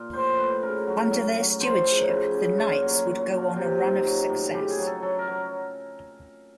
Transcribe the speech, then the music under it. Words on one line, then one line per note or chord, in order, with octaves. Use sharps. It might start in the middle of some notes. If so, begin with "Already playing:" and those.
Under their stewardship the Knights would go on a run of success.
Already playing: A#2
A2 C5
A2 B4
C#3 A#4
F#3
F#3
F#3
F3 C5
C#3
C#3
C#3
A#2 C#5
F#3
F#3
A#2
C3
D#3
F#3
A2
C#3 G4
G#4
F#3
A4
F#3 A4
A#4
F#3